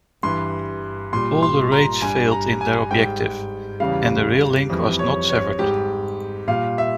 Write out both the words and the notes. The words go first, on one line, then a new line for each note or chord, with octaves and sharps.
All the raids failed in their objective and the rail link was not severed.
G2 E3 G3 C6
A#2 G3 C6
C6
A#5
G2 G3 G#5
A#5
G#5
G#2 G3 G5
E2 C#3 G3 F5
F2 E3 G3
C#5
C#5
G#2 G3 G4
A#2 G3 F5
E5